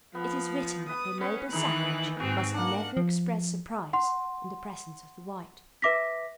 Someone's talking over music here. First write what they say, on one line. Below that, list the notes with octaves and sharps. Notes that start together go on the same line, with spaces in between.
It is written that the noble savage must never express surprise in the presence of the white.
F3 B3
B4 D#6
B3 C#4
D#3 E3 D#4 G#4 F#6
G#2 C4 F#4 G#4
A#3 D4 F#5
F3
F#5 C6
B4 E5 D6 A#6 B6